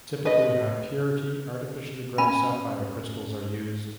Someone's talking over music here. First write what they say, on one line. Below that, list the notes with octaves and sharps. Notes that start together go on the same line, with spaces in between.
Typically, high-purity artificially grown sapphire crystals are used.
B4 D#5
C#4 G#5 B5